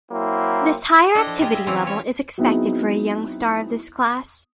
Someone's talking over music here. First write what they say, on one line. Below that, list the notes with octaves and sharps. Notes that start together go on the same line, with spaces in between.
This higher activity level is expected for a young star of this class.
F#3 A#3 C4 E4
D4 E4 G4 A4 D#5
F3
G3 F4 G4 G#4 D#5
E5
E3 C4 C#4 E4 F4
C#5
F#3 B3 C4 D#4 E4 G#4